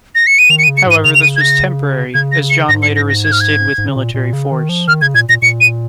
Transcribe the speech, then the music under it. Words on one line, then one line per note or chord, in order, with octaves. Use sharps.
However, this was temporary, as John later resisted with military force.
A#6
C#7
D#7
D#3 F7
C#7
D#7
C#3
C#7
G#2 D#7
C#3 F7
F7
D#7
G#6
A#6
C#3 G#6
A#6
C#7
G#2 A#6
C#7
A#6
A#6
G#6
F6
G#6
G#2
C#3
A#2
A#2
C#3
D#3
F3
D#3 F6
C#3 G#6
A#2 G#6
A#2 A#6
A#2 C#7
D#7